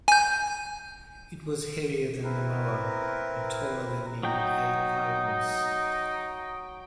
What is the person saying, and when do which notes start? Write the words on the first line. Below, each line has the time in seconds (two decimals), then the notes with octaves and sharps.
It was heavier than the Moa and taller than "Aepyornis".
0.08 G#5 G6
2.23 C4 E4 A#4 B4
4.23 F#3 D#4 G5